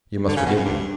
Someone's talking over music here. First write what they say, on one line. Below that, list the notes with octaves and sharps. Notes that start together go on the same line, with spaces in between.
You must forgive me.
D3
C#3
B2
F#2
G2